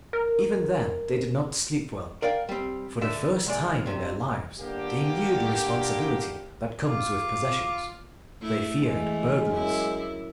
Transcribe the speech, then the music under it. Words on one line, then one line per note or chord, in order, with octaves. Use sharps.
Even then they did not sleep well: for the first time in their lives they knew the responsibility that comes with possessions; they feared--burglars.
A#4
A#4 D5 F5 G5
G3 C4
D3 E5
C2 G#3 D5
G2 C3
G1 D3 A#3 G4
F4 D6
A3 E4
E3 G#3 A3
F#2 E4